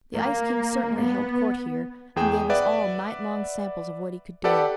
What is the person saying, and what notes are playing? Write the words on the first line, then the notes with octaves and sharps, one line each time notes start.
The ice king certainly held court here, and gave us all night long samples of what he could do.
A#3
B3
E2 G#4 G5 E7
B4 D5 E5 F#5
G4 A4 B4 D5 F#5